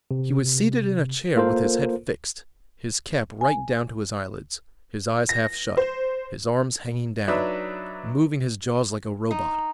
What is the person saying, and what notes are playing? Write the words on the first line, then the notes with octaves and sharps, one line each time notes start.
He was seated in a chair with his head fixed, his cap right down to his eyelids, his eyes half shut, his arms hanging down, moving his jaws like a robot.
C3
A#3 F4 A4 A#4 C5
G#5
A#6
C5
F#3 D4 D#4 B4 E5
D#4